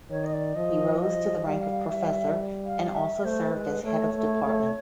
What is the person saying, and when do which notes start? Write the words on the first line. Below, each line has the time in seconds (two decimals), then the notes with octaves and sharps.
He rose to the rank of professor and also served as head of department.
0.10 D#3 C#5
0.25 D#5
0.33 D5
0.55 F3 D#5
1.01 F3 D#5
1.45 G3 F5
1.90 G3 E5
2.65 F5
2.94 E5
3.24 A3 C5
3.54 G#3 B4
3.84 A3 C#5
4.14 A3
4.43 A3